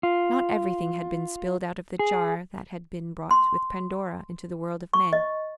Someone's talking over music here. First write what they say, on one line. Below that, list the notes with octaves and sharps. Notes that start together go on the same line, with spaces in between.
Not everything had been spilled out of the jar that had been brought with Pandora into the world of men.
F4
G#4
C6
C#6
D#5